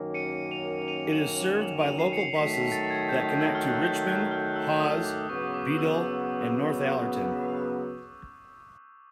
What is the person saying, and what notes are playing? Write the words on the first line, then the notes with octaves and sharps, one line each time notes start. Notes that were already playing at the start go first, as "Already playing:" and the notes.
It is served by local buses that connect to Richmond, Hawes, Bedale and Northallerton.
Already playing: F#2 D#3 F#3 A#3 C#4
C#7 D#7
D#7 F7
D#7 F7
E7 F#7
E7 F#7
D#7 F7
C7
C#7
C7
D#3 F#3 A3 B6
B6
A6
G#6
G6
E6
F6
F#6
G6
F#6
F6
E6
D#6
D6
C#3 F#3 B3 C#6
D6
D#6
E6